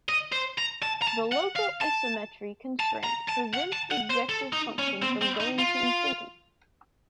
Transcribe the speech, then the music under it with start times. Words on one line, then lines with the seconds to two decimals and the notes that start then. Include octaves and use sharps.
The local isometry constraint prevents the objective function from going to infinity.
0.09 D#5
0.32 C5
0.58 A#5
0.82 A5
1.02 A#5
1.07 A5
1.32 F#5
1.56 F5
1.82 A5
2.80 A5
3.04 A#5
3.29 A5
3.54 F#5
3.73 A5
3.92 F#5
4.10 C5
4.29 A4
4.53 D#4
4.79 C#4
5.02 C4
5.22 C4
5.40 D#4
5.59 F4